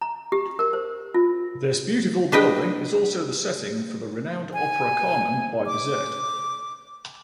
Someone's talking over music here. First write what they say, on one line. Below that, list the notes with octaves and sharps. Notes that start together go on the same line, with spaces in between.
This beautiful building is also the setting for the renowned opera, "Carmen", by Bizet.
A#5
G4
A#4
C5
F4
D4 B4 D#5 G5
G#5
D6